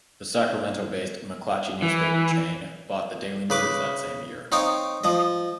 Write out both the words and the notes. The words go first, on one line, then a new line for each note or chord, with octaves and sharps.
The Sacramento-based McClatchy newspaper chain, bought the "Daily News" that same year.
E3
C#3 B4 D6
C4 D#4 C#5 F5 G5
F3 D#5